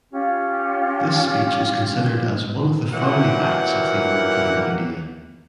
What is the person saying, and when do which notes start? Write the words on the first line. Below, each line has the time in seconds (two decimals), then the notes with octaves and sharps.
This speech is considered as one of the founding acts of the European idea.
0.12 C#4 F4 G4
2.94 A#2 E3 F#3 A#3 G4 F#5